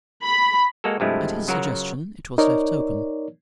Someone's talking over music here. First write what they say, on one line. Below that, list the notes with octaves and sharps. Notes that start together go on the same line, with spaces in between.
At his suggestion it was left open.
B5
G#3 A#3 F#4 A4
G2 C3 F3 G#3 A3 E4
C#3 F#3 F4 F#4 A#4
D#4 A#4 C#5 D5